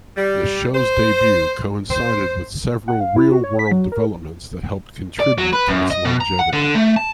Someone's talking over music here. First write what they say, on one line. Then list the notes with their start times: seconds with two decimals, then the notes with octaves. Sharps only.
The show's debut coincided with several real-world developments that helped contribute to its longevity.
0.16 G3
0.73 C5
1.91 C5
2.88 F#5
3.00 F5
3.16 E4
3.32 F#4
3.44 C#5
3.59 B6
3.72 F#3
3.92 A#4
5.20 D5
5.38 F#3
5.53 B4
5.68 F#2
5.91 D#5
6.05 B2
6.21 A#5
6.39 F#5
6.53 D3
6.75 A3
6.96 A5